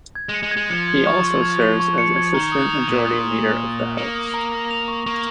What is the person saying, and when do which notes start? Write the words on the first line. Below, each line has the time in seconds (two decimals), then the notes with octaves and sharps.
He also serves as Assistant Majority Leader of the House.
0.15 G#6
0.29 G#3
0.34 C#7
0.43 G#3
0.51 G#6
0.57 G#3
0.70 F3 C#7
0.88 G#6
1.07 C#6
1.24 C#6
1.42 G#6
1.62 F7
1.80 C#6
1.98 C#7
2.16 G#6
2.34 D#3 A#5
2.52 D#6
2.70 F7
2.89 A#2 D#6
3.07 D#6
3.24 D#6
3.43 D#6
3.61 D#6
3.79 F7
3.97 A#3 C#7
4.15 D#6
4.34 A#5
4.52 A#6
4.71 F7
4.88 C#6
5.06 A#3 C#6